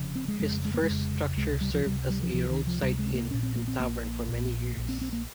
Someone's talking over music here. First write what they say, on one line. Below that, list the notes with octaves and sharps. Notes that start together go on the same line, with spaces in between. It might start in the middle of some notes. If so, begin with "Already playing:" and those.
His first structure served as a roadside inn and tavern for many years.
Already playing: F1 F2 C#3
C4
G#3
F1 F2 C#3 G#3
G#3
A#3
G#3
F1 F2 C#3
C#2 C3 G#3
G3
F3
C#2 C3 G3
G3
F3
C#2 C3 F3
D#3
F3
C#2 C3 G3
G#3
A#3
A#1 A#2 C#4
C4
A#3
C4
A#1 A#2 A#3
A#1 A#2
A#1 A#2
C4
C4
A#3